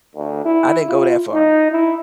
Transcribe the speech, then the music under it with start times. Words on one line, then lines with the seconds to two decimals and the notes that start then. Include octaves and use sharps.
I didn't go that far.
0.16 D2
0.45 E4
0.87 F4
1.33 D#4
1.71 E4